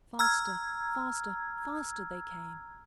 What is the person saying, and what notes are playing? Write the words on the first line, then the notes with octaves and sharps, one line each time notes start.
Faster, faster, faster, they came.
A#5 E6 F6 G#6